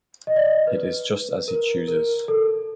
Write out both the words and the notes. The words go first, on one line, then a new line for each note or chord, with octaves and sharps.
It is just as he chooses.
D#5
D5
D#5
B4
A#4
A#4
A4